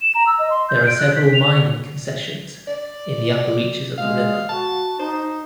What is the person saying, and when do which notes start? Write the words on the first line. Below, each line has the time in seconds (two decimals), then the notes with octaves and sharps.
There are several mining concessions in the upper reaches of the river.
0.01 E7
0.15 A#5
0.27 E6
0.39 D#5
0.50 C6
0.69 G6
0.87 D7
0.98 F#6
1.16 B6
1.34 F7
2.68 D5
3.98 G#3 F5
4.49 F#4 A5
4.99 D#4 C5